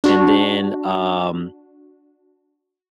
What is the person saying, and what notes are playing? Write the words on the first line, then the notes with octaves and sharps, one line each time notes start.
and then, um,
D4 F#4